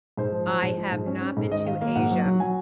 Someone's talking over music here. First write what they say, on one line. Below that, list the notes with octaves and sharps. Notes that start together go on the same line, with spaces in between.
I have not been to Asia,
G#2 C5
F3
F3
G#2
F3
G#2
C#4
C#4
G#2
D#3 D#5
D#3 F5
A#3 F5
G#2 F#5
F#3
F#3
F#3 G#5